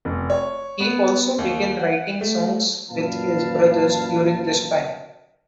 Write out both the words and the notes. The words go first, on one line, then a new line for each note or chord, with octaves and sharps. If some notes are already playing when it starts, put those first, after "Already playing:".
He also began writing songs with his brothers during this time.
F1
C#5
B3
D#2
F#5
A3
F#2 A#2 B4 F5 A5